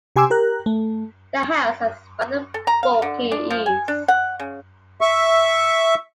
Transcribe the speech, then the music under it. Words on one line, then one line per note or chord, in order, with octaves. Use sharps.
The house has rather bulky eaves.
C3 G4 G#5 C6 D6 E6
G4 A#4 F#6
A3
A4
A#5
F5
D3
D4
F3
G#5
D4
F#5
C#3
E5 C#6